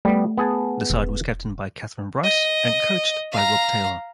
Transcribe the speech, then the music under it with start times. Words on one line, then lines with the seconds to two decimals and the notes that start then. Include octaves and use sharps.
The side was captained by Kathryn Bryce and coached by Rob Taylor.
0.05 G3 A3 B3
0.38 B3 G#4 A5
0.90 E1
2.24 D#5
3.32 F5 A#5